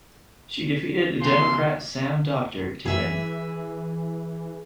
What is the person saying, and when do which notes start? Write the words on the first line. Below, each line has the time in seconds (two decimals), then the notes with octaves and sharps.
She defeated Democrat Sam Doctor to win.
1.22 C#3 B3 C6
2.86 E3 G#4 E5